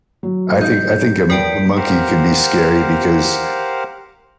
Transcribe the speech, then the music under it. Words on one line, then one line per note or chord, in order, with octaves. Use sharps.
I think I think a m monkey could be scary, because
F#3
D#4 G6
E2 A#4 G5 B6 D7
G4 A#4 C5 F5 F#5